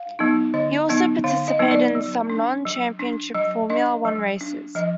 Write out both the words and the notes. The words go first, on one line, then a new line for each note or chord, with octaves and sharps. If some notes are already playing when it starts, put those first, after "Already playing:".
He also participated in some non-Championship Formula One races.
Already playing: F5
F#3 B3 D#4
D3 D#5
F#3 B3 D#4
D3 F5
D#5
F#3 B3 D#4 B4
D5
F#3
D4
F#3
D4
F#3 D#5
D4 D#5
F#3
D4
F3 D#5